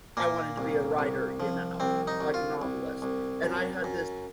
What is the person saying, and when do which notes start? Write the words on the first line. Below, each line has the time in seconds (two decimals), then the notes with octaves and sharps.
I wanted to be a writer, you know, like a novelist, and I had this
0.17 A#2 A#3
0.58 C2
0.99 C2
1.40 F3
1.80 C2 C4
2.07 D#4
2.21 C2
2.34 F4
2.61 C2
3.02 C2
3.43 F#2
3.84 F#2